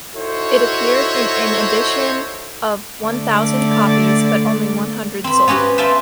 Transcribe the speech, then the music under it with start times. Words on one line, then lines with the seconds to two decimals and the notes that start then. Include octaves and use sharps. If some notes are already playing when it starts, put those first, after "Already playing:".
It appeared in an edition of one thousand copies, but only one hundred sold.
0.15 D#4 E4 F#4 A4 C5 C#5
3.03 D3 A3 D5
5.24 C4 B5
5.48 B3 C#4 F#4 G4
5.78 B4 C5 E5 F5 G5 A5